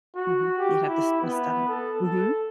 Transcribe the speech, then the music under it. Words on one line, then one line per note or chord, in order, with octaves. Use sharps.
Mhm. You'd have to to study. Mhm.
F#4
G4
E4
B3
A4
A4